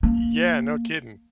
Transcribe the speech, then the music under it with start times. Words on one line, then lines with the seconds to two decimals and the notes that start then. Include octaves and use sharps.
Yeah, no kidding.
0.03 A#3